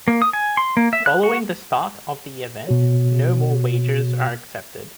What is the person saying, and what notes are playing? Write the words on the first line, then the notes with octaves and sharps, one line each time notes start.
Following the start of the event, no more wagers are accepted.
A#3
D#6
G#5
C6
A#3
E5
F#6
F#4
B2 F#4 C#5